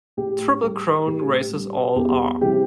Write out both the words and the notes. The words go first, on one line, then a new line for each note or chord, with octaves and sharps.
Triple Crown races all are.
A2 G4
G3 G4
A2 G4
G3
E2 G4
C3 E3 G3 G4